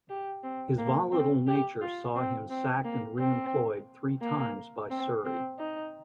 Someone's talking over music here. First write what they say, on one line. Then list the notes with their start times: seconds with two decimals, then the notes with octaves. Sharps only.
His volatile nature saw him sacked and re-employed three times by Surrey.
0.10 G4
0.43 C4
0.78 A#3
1.12 C4
1.47 G4
1.81 F4
2.15 C4
2.50 C4
2.85 A#3
3.19 C4
4.22 A#3
4.90 C4
5.25 C4
5.59 D#4